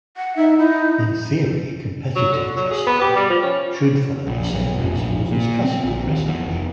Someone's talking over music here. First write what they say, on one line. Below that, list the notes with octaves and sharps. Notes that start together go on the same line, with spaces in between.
In theory, competitive dressage should follow the same principles as classical dressage.
F#5
D#4 E5
D#4 E4
F#3
D3
F#3
G#4
B3
G4
G3
F3
C#4
A#1
B1
F1
A#1
A#2
C4
A#1
D#2
E2
F1